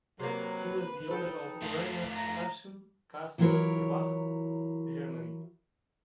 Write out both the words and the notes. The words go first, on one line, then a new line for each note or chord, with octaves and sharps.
He was the owner of Reinhartshausen Castle at Erbach, Germany.
C3 F#3 A#3 B4
D#4 A4 G5
A3 F4
A#5
E3 F#3 E4 F4 A#4 C#5